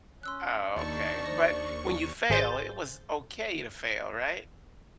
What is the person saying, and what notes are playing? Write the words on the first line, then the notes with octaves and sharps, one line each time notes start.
Oh, okay, but when you fail, it was okay to fail, right?
C#4 C6 E6 F#6
D#2 D4 D#4 A5 C#6
C5 D5 A#6
G#1 G#4 C5 G6 A6